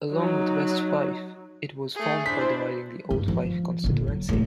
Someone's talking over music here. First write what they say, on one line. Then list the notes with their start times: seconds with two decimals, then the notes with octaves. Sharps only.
Along with West Fife, it was formed by dividing the old Fife constituency.
0.12 F#3 D#4
1.95 A3 G#4
2.26 D4 E4 C5 B6
3.11 G2
3.28 F3
3.84 A#2 D3
4.08 F#3
4.29 D1 G3